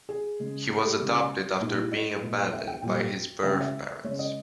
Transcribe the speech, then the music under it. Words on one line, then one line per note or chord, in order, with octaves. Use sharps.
He was adopted after being abandoned by his birth parents.
G#4
C#3 G#3
G#4
G4
C#3 G#3
A#2 G#3 D#4
G4
E4
D#5
A#2 G#3
E5
G5
A#2 G3 G5
C#3 G#3 E5
G5
E5
C#3 G#3 C#5
D#5